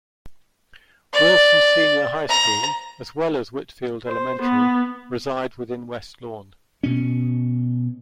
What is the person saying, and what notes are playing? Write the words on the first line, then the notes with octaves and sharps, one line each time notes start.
Wilson Senior High School, as well as Whitfield Elementary reside within West Lawn.
D5
A#5
C5
B3
B2 C#4